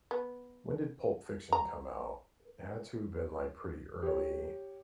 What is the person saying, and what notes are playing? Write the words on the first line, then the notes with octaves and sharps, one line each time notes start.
when did Pulp Fiction come out? It had to have been like pretty early,
B3
A#5
G4 C#5